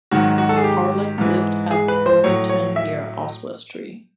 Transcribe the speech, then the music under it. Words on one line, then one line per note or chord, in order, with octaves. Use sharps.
Harlech lived at Brogyntyn near Oswestry.
G#2 D#3 F#3 F#4
F#4
A4
G#4
G4
G#2 E3
G#4
B4
C5
A2 F#3 C#5
C#5
E5